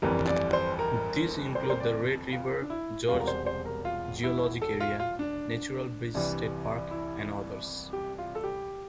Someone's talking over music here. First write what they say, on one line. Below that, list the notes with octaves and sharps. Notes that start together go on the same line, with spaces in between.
These include the Red River Gorge Geologic Area, Natural Bridge State Park, and others.
G1 F2 E3 G3 A#4
D5
C5
A#4
C5
A#4
C5
D5
F4
D4
E4
E1 E2 C3 G3 F4
A#4
C5
C5
A#4
F4
E4
A4
F4
F4
D4
C2 C3 E3 G3
E4
G4
F4
A4
G4